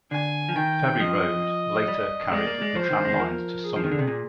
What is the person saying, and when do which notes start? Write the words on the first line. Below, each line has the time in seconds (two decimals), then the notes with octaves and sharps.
Ferry Road later carried the tramlines to Sumner.
0.11 D3 G#5
0.49 F3
0.56 D#3 G5
0.99 F3 D#5
1.88 G3
2.32 G#3 D5
2.47 A#3
2.61 G#3
2.75 F3 C5
2.90 D#3
3.05 G#3
3.12 D#3
3.20 F3 A#4
3.64 G#4
3.76 F3
3.84 D#3
3.91 D3
3.99 C3
4.07 A#2